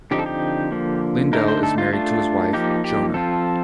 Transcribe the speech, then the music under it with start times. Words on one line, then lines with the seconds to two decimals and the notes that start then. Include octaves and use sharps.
Lindell is married to his wife Johna.
0.11 D3 F3 C4 D#4 G4
0.19 A4
0.26 G4
0.72 D3 F3 A#3
1.33 D3 A3 D#4 A#4
1.48 C5
1.63 A4
1.78 F4
1.93 A3 D4 F4
2.53 F3 A#3 D#4 G4
2.84 G4
3.14 F3 C4 F4 A4